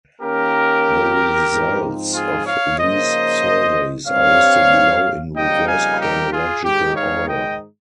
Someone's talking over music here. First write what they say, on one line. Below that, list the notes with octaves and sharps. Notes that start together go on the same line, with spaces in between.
The results of these surveys are listed below in reverse chronological order.
D#3 A#3 C#4 G4 A#4
G#2 F3 C4 D#4
F4 G#4
C#5 F5
C#3 F3 A#3 D#4 C5 D#5
G2 G3 C4 C#5 F5
F2 C#3 G3 A#3 D#4 D#5 G5
F5 G#5
G4 A#4
F4 G#4
G#2 D#3 G#3 D#4 G4
C#5 F5
D#5 G5